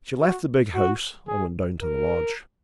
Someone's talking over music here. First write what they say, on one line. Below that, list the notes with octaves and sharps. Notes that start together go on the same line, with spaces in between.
She left the big house and went down to the lodge.
F#4
F#4
G#4
A#4